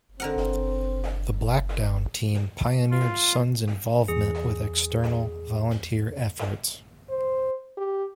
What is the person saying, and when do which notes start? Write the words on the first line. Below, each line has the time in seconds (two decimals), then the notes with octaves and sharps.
The Blackdown team pioneered Sun's involvement with external, volunteer efforts.
0.20 D3 C4 A#4 F#5
2.91 F4
4.08 E2 G#4
7.10 C5
7.78 G4